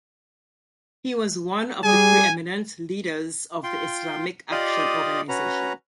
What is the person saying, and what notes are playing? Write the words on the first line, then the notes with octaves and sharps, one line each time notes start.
He was one of the preeminent leaders of the Islamic Action Organisation.
G3 G#4 G#5
F4 G5 C6
F4 G4 D5 D#5 F5 D#6
C#4 F#4 B4 A#5